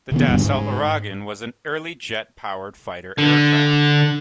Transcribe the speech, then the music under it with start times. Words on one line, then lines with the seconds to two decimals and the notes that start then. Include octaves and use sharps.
The Dassault Ouragan was an early jet-powered fighter aircraft.
0.12 C3 D#3 B3
0.28 E1 D2 G2 G3
0.44 G#2
3.18 D3